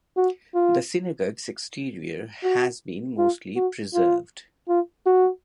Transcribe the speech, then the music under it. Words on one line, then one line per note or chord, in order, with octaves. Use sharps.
The synagogue’s exterior has been mostly preserved.
F#4
F4
F#4
F4
F#4
F4
F4
F#4